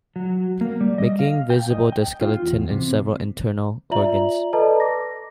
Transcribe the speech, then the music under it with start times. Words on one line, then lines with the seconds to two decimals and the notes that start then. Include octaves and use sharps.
Making visible the skeleton and several internal organs.
0.16 F#3
0.61 A#3
0.81 G3
0.98 D#5
1.19 F5
1.50 G5
1.70 D#5
1.92 G5
2.21 F4
2.42 E2
2.71 C3
3.91 F4 D5 E5 A#5 F#7
4.53 A4 B4 D5 D#5 A5 A#5
4.80 D6 A#6